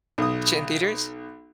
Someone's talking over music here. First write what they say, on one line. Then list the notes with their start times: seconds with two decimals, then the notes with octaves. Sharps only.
tch it in theaters?
0.18 B1 D#6